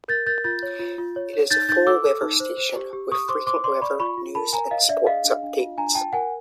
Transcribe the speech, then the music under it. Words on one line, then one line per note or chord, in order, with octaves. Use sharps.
It is a full service station, with frequent weather, news and sports updates.
A#4 G6 A6
A#4 G6 A6
F4 G6 A6
C#5
F4
F4
C#5
C#5
D#4 G6 A6
D#4 G6 A6
A4 D6 E6
A4
D#4
C5
C5
G4
G4
G4 C#6 D#6
C5 C6 D6
C5 C6 D6
D5 C6 D6
D5 B5 C#6
F4 B5 C#6
F4
A#4 A5 B5
A#4 G#5 A#5
C#5 D#5 F5
D4 D5 E5
G#4 D#5 F5
D4
D4
F4
D4 G#5 A#5
F4 G5 A5
A#4 F#5 G#5